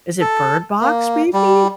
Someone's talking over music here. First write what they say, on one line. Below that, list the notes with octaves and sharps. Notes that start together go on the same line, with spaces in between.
Is it Bird Box maybe?
A4
A#3
G3